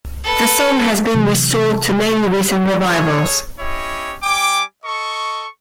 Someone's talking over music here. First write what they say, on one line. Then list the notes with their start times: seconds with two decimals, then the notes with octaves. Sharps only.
The song has been restored to many recent revivals.
0.23 A4 B4
1.15 C3 E3 F#3 A#3
2.90 G#4 A4 C#5
3.59 C#4 E4 G4 C#5 D#5
4.23 G3 G5 G#5 D6
4.84 A4 D#5 C#6